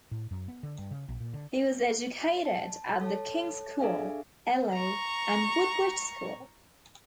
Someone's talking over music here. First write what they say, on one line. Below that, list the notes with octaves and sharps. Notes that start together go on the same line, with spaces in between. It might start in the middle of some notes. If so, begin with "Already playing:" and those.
He was educated at The King's School, Ely, and Woodbridge School.
A2
F#2
B3
D3
G2
C#3
A#1
A#2
D3
A5
A4 C#5 A5
D4 G#4 A4 E5 F5 G#5
A#5 C#6